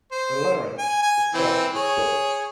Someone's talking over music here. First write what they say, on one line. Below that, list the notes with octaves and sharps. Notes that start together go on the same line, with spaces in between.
The larynx is part of the throat.
C5
G#5
G#5
E3 C4
G#4 C#5